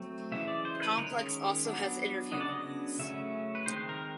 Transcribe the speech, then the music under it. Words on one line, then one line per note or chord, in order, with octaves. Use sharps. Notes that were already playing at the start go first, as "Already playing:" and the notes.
The complex also has interview rooms.
Already playing: F#3 A3 C4
C#3 E3 G#3 E5
D5
C5
B4
D#3 G#3 C#4 A#4
F#3 B3 D4
C#3 F#3 B3 D4 D#5
D5
D#5
C#3 F#3 A3 C#4 E5
B4
D#3 G#3 C4 C5
A#4